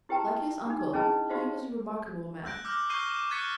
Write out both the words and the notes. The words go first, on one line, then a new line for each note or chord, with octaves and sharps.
Like his uncle, he was a remarkable man.
E4 G4 B4 G5 A5 A#5
D4 D#4
C#4 E4 G#4 B4 D#5 A5
D#4 F#4 G4 C5 D#5 F5
E6 F#6 G6 A#6 D7
D6 E6 F6 G6 A#6
C#6 E6 G6 C7 D#7 G7
E7
D6 F#6 G#6 A6 B6 C#7